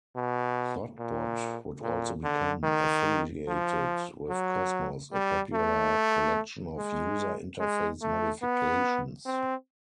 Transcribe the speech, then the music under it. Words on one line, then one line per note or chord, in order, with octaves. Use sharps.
Thottbot would also become affiliated with Cosmos, a popular collection of user-interface modifications.
B2
A#2
A#2
D3
D#3
F3
F#3
G3
A3
G#3
G#3
A3
B3
C4